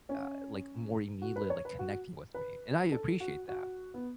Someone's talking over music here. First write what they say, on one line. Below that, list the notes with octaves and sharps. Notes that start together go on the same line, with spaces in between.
uh, like, more immediately, like, connecting with me, and I appreciate that,
C#4
F#4
B4
C#5
B4
F#4
B4
A4
F#4
F#4
B3